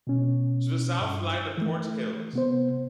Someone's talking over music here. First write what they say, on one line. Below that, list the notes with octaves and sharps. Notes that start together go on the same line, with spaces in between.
To the south lie the Port Hills.
B2 C#4
G2
E3 A3
C3 B3 C5